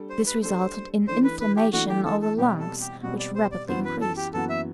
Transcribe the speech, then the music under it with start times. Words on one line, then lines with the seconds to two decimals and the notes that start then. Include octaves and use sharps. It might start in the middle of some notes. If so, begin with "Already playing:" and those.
This resulted in inflammation of the lungs, which rapidly increased.
Already playing: G3 D4 A4
0.10 C5
0.26 B4
0.43 G3 D4 A4 C5
1.08 E3 A3 D4 C5
1.24 B4
1.40 B4
1.56 G4
1.73 E3 A3 D4 F#4
1.89 G4
2.05 A4
2.22 A4
2.38 B2 G3 C4 G4
2.59 A4
2.81 G4
3.03 B2 G3 C4 F#4
3.19 D5
3.35 C5
3.52 D5
3.68 F#2 E3 B3 F#4 C5
3.85 B4
4.01 A4
4.17 G4
4.33 F#2 E3 B3 F#4 A4
4.49 E5